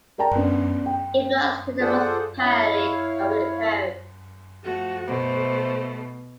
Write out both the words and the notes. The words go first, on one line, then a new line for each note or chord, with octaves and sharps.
It belongs to the municipality of Lipari.
A#4 D5 G5 A5 A#5
B3 C#4 D4
G5
F4 G#4 A4 C5 D5 F#5
E4 C#5 F5
F3 A3 F#4
B2 A3 C5